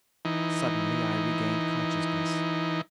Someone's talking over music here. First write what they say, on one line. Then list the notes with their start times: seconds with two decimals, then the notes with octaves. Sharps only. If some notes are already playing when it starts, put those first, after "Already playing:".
Suddenly I regained consciousness.
0.25 E3 D#4